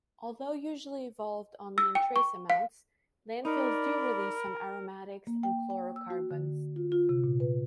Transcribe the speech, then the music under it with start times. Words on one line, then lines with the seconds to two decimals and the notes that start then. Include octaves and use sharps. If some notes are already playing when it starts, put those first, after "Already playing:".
Although usually evolved only in trace amounts, landfills do release some aromatics and chlorocarbons.
1.78 E6
1.95 G5
2.16 C#6
2.50 F5
3.45 D#4 A#4 D5 B5
5.27 A#3
5.43 G5
5.70 G5
5.96 E6
6.10 F#4
6.31 D3
6.76 F4
6.92 F4
7.09 C3
7.24 A#2
7.40 B4